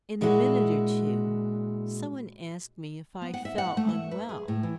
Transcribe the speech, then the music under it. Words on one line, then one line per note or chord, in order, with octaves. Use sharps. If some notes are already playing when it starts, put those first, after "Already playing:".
In a minute or two, some one asked me if I felt unwell.
A#2 G#3 D4 E4 F#4
B3
F#5
E5
F#5
A3
E5
B4
G#4
A2
E3